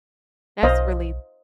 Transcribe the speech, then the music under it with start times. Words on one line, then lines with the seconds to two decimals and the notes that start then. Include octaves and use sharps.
That's really
0.63 B1 C5 D#5 F5